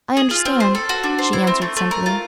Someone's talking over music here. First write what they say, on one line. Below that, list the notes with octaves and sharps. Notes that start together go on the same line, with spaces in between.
"I understand," she answered simply.
G#4
F4
C4
C5
A4
F#4
D4
C5
E4
C4
A3
A3
A#4
F4